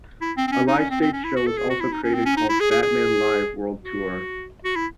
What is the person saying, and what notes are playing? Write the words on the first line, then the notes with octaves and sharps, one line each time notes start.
A live stage show was also created, called "Batman Live: World Tour".
E4
C4
C4
C#4
D#4
C#4
C4
C4
C#4
E4
F#4
A4
G#4
F#4
E4
D#4
C#4
C4
C#4
D#4
E4
G#4
G#4
G#4
F#4
F#4
E4